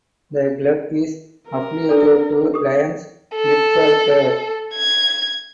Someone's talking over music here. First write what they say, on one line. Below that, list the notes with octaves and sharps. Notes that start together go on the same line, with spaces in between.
The club is affiliated to Lions Gibraltar.
A#4
D4 A4 D5
G4 D#6
A4
G#6